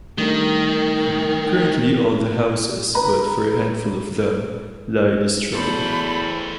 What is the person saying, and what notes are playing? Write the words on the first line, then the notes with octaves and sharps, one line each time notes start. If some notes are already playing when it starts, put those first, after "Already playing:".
Currently all the houses, but for a handful of them, lie destroyed.
D#3 G3 A3 D4 A#4
B4 A#5
E2 F#3 A3 A4 C5 B5